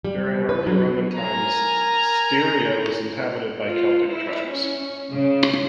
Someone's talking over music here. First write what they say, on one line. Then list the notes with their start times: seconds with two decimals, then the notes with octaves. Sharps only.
During early Roman times, Styria was inhabited by Celtic tribes.
0.04 G3
0.49 B4
0.67 F#3
1.15 A#4 G#5 A#5
3.64 F4
4.06 E4
4.45 C#4
5.13 C#3